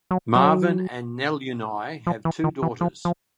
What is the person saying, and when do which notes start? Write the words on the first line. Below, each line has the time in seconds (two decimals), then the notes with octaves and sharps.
Marvan and Neluni have two daughters.
0.11 F#3
0.36 F#3
2.07 F3
2.25 E3
2.44 D#3
2.62 E3
2.81 F3
3.05 F3